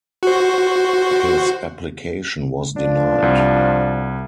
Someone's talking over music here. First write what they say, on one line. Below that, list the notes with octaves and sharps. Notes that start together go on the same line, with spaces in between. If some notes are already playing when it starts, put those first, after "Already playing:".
His application was denied.
F#4 C5
F3 D4
C2